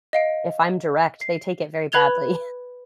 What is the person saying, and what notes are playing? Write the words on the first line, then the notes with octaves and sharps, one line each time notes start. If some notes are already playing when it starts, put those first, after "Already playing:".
if I'm direct, they take it very badly.
D#5 F5 D7
C7
B4 B5 F#6 G#6 F7 G7